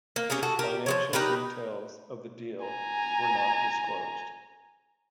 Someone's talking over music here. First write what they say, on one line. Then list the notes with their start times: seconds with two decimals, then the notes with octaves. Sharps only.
Financial details of the deal were not disclosed.
0.16 A#3
0.30 C#4 G4 G#4 A#4
0.43 F#4 A4
0.59 G4 A#4
0.86 F3 G#3 C#5
1.13 D#4 G4 A#4 B4
2.66 G#5 A#5